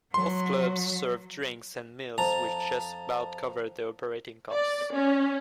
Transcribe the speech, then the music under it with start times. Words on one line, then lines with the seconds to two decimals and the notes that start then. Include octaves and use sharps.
Both clubs served drinks and meals which just about covered the operating costs.
0.14 F#3 C6
2.18 F2 A5 A#5
4.51 D5
4.93 C#4